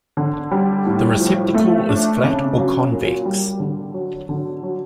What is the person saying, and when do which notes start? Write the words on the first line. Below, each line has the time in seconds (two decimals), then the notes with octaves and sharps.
The receptacle is flat or convex.
0.17 D3
0.51 G3
0.86 A2
1.20 F3
1.54 A3
1.89 D4
2.24 C#3
2.58 F#3
2.91 A#2
3.25 G3
3.60 D3
3.94 F#3
4.29 D3
4.63 F#3